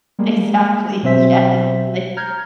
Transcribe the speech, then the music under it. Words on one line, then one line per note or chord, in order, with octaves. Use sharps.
Exactly, yes, like
G3 G#3 A#3
B2 F#3 C4 C5 E5 B6
A#5 F6 G6 G#6